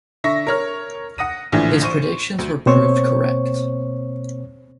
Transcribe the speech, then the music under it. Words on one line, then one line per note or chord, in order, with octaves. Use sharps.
His predictions were proved correct.
D3 E5 C#6 A#6
A#4 C#5 F6
F#5 D#6 A#6 D#7
A#1 A2 D3 E3
C5 C#6 D#7
D2
B2 A#3 C4 C5 C#5 C#6